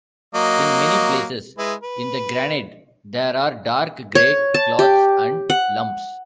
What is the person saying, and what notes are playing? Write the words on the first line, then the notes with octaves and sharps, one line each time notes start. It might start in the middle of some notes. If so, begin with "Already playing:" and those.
In many places in the granite there are dark grey clots and lumps.
F#3 A#3 D#5
G#3 E4 B4
B4
C#5
A5
G4
F#5